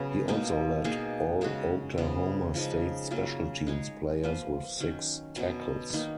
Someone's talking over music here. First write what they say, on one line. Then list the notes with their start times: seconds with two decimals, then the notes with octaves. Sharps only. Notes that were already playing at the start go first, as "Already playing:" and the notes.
He also led all Oklahoma State special teams players with six tackles.
Already playing: C#3 F#3 B3 F#4
0.28 B2 A#3 D#4
0.84 B2 A#3 D#4 G#4
1.41 C#3 G#3 D#4 F#4
1.98 C#3 F3 B3
2.54 C#3 F3 G#3 D#4
3.11 C#3 F#3 A#3 F4
3.67 G#3 D#4 G#4 C#5
4.23 F3 A#3 F4 B4
4.80 D#3 F#3 C#4
5.37 B2 F#3 B3
5.93 D#3 A#3 D#4